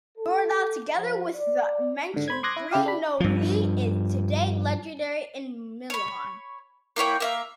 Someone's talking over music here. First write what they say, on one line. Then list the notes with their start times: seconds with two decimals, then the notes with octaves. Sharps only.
Nordahl, together with the mentioned Gre-No-Li is today legendary in Milan.
0.17 A4
0.97 F3
1.35 D5
2.14 G#2 D3
2.28 C5 B5 G#6
2.43 C6 D6 D#6 F#6 G#6 A#6
2.56 E4
2.71 C#3 E4 G4 F5
2.86 D4 B5
3.20 G2 F3
5.90 C#5 B5
6.96 A#3 E4 C#5 G5
7.20 A#3 E5 F5